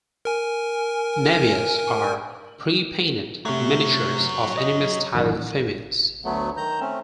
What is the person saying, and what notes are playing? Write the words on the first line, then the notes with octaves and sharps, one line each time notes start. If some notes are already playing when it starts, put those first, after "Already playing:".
"Navias" are prepainted miniatures of anime-style females.
A#4 G#5
C3 F#3 A3 C#4
D#5
A1 F#2 D#3
D2 F#3 A3 B3
D#3 A#5 G6
A3 C4 C#4